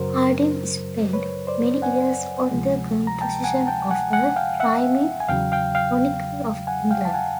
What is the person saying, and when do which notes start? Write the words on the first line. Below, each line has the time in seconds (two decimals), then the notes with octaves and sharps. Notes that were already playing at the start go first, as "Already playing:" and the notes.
Hardyng spent many years on the composition of a rhyming chronicle of England.
Already playing: F#2 C#3 F#3 A#4 C5
1.13 B4 C#5
1.47 C5 D5
1.82 F#5 G#5
2.51 D2 C3 F3 G#3
3.07 A#5
3.21 G5 A5
3.44 F#5 G#5
3.67 G5 A5
3.91 F#5 G#5
4.13 F#5 G#5
4.36 F5 G5
4.60 E5 F#5
5.20 G#5
5.29 E2 C#3 F#3 F5 G5
5.52 F5 G5
5.75 F5 G5
6.67 F#5 G#5
6.91 F5 G5
7.05 A5
7.13 F#5 G#5